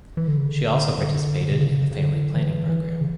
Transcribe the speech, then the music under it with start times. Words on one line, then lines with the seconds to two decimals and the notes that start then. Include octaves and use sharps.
She also participated in the family planning program.
0.17 E3
0.28 D3
0.38 C#3
0.48 D3
1.51 B2
1.61 C#3
1.91 C#3
1.97 D3
2.34 E3
2.69 E3
3.01 C#3